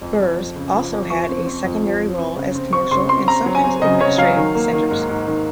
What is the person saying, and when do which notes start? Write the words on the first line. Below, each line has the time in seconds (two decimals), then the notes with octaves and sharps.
Burhs also had a secondary role as commercial and sometimes administrative centres.
0.01 F2
0.19 F2
0.37 F3
0.56 C#3
0.74 F3
0.92 F2
1.10 F3 C#6
1.29 C4
1.46 C4
1.64 F2
1.83 F3
2.01 F3
2.19 C4
2.37 C#3
2.55 C4
2.73 C4 C#6
2.91 C#3 C6
3.09 C4 C6
3.27 C4 A#5
3.46 F#3
3.55 G#5
3.64 C4
3.82 C#3 D#5
4.00 C#3 C#5
4.18 F#3 F5
4.36 D#3
4.55 A#3
4.73 D#3
4.91 G#2
5.09 G#2
5.27 D#3